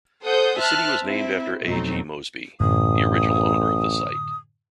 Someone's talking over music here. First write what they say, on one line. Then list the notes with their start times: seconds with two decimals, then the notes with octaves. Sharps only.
The city was named after A. G. Mosby, the original owner of the site.
0.23 A4 C5 F#5 D#6 G6
0.59 C5 E5 A5 F6 F#6
1.06 C4 E4
1.66 F2 B2 F#3 A3 C4 D#4
2.60 A1 F#2 A2 D3 D#6